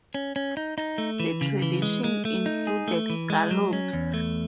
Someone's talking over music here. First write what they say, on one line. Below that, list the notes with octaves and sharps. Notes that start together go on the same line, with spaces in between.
The tradition included galops.
C#4
C#4
D#4
D#4
A3
E3
C#3
E3
G#3
G#3
A3
D#4
G#4
A3
E3
G#3
F#3
C#4
E2
A3